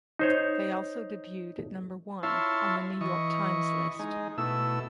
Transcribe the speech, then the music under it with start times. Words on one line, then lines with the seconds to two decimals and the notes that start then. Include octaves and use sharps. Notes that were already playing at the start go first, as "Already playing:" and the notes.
They also debuted at number one on "The New York Times" list.
0.19 D#4 C5 C#5
2.23 E4 F4 C#5 E5 A5 C6
3.01 E3 D#5 C#6
3.99 G#3 D#4
4.38 B2 A3 E4 E6